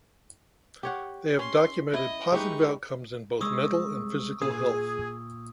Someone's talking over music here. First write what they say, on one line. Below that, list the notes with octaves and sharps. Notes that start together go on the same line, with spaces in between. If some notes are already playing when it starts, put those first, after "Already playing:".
They have documented positive outcomes in both mental and physical health.
G4 C#5 F#5
C#4 C6
E4 D#5
G#3 D#4 G4 B4 C#6
C2 G#3 C#6 D#6 E6
A#2 G#4 D#6